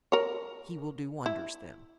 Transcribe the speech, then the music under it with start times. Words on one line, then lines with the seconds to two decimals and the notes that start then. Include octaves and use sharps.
"He will do wonders then."
0.12 A#4 C#5
1.26 E4